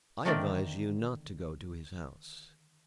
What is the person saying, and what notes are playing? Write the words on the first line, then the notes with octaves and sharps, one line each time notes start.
I advise you not to go to his house.
D3 D#3 A3 C4 A#4 D5